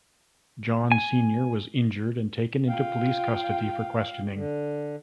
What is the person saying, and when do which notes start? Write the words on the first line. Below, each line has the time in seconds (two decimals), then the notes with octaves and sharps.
John Senior was injured and taken into police custody for questioning.
0.92 G#5
2.68 F4 F5 G5
4.35 D3